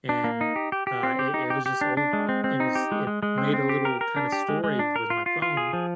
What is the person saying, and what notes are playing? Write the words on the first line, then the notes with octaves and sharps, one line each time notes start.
and, uh, it it was just overpop it was it made a little kind of story with my phone,
D4
A#3
D#4
G4
G4
G4
C4
G4
D#4
G4
G4
D4
D4
G#3
C4
C4
D#4
G4
G#3
G#3
G#3
C4
C4
G4
A#4
A#4
D4
G4
G#3
G#3
D4
A#4
F4
F4
F4
G#4
F3